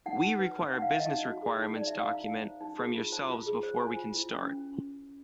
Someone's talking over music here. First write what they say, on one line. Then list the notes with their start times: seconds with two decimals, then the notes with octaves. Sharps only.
We require a business requirements document from yourselves before we can start.
0.06 D#4 F#5
0.23 D#4
0.39 B4
0.56 B4
0.73 D#4 F#5
0.82 F5
0.90 D#4 E5
0.99 D#5
1.08 D#4
1.25 F#4
1.42 G#4
1.59 D#4
1.76 D#4 D5
1.87 D#4 E5
1.98 F5
2.09 D#4 A#5
2.27 D#4
2.44 C5
2.61 D#4
2.78 G#4
2.95 F4
3.12 C5 A5
3.28 F4
3.46 G#4
3.63 C5
3.80 C5 G#5
3.97 F4
4.14 E4
4.31 C#4